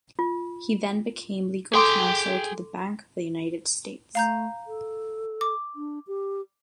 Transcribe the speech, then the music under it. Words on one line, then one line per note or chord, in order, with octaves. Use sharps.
He then became legal counsel to the Bank of the United States.
F4
G#4 A4 G5 C6 D6
A3 F5 A#5 G6
A4
D6
D4
G4